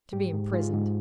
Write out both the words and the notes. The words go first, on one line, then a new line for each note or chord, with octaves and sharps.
To be imprisoned.
G#2 G4
G#2
G#2 F4 G#4
G#2